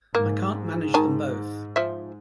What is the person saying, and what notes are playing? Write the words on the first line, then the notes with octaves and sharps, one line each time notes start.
I can't manage them both.
G#2 A#3
D#3 G#5 A5
F3 E5